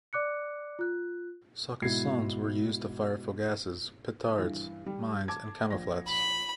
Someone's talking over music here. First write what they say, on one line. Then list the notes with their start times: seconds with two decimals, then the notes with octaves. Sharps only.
Saucissons were used to fire fougasses, petards, mines and camouflets.
0.13 D5 D6 F#6 C#7
0.79 F4 F#6
1.82 G#2 B2 E4 G#6 C7
4.38 G2 E3
4.86 G3
5.28 A5 D6 G#6
5.70 A#1 A#6
6.08 B5